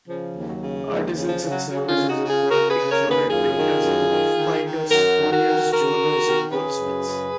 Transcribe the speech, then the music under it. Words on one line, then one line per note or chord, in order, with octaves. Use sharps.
Artisans in service of the court included painters, book binders, furriers, jewellers and goldsmiths.
C#3 F3
D#2
F#3
C#3
D#2 F3 G#3
C#3
F3
C#3
F#3
C#3 F#3
C#4 F4
C#3
D#4 F#4
C#3
F4 G#4
C#3 F#4 A#4
G#4 B4
C#3
A#4 C#5
D#2
G#4 B4
F#2 F4 G#4
D#3
F#2
D#3
D#3
D#3
F#2 F#4 A#4
D#3
F#4 A#4
D#3
D#3 F#4 A#4
D#3
D#3
C#3 G#4 B4
F#2
C#3